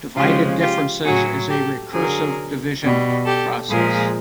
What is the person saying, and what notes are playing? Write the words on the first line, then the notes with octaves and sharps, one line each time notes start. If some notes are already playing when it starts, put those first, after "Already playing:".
Divided differences is a recursive division process.
C#3 F3 G#3 F4 G4
F4 G4
A2 F#3 F#4 G#4
G4 A4
D3 F#3 G#4 A#4
B2 G3
G4 A4
A#2 F3 G#3 G#4 A#4